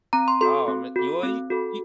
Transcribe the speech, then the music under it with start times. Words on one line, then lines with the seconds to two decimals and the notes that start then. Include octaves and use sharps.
Oh ma well, you you
0.13 C4 A#5
0.28 C6
0.41 F#4 A4 C6
0.68 C4
0.96 F#4 A4
1.23 C4
1.50 F#4 A4